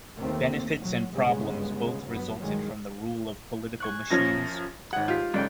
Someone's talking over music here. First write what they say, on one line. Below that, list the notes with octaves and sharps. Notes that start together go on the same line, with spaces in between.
Benefits and problems both resulted from the rule of political machines.
D#2 D#3 A3 A#3 C4
B1 F#3
G1 C#3 G#3 B3
G2 F#3 B3
G2 D#3 F#3 G#3
G#5 C#6 F#6
F#2 F3 C#4 A#6
G#1 G#4 F#5
F4 G4 B6
G#2 C#3 A4 D5 G5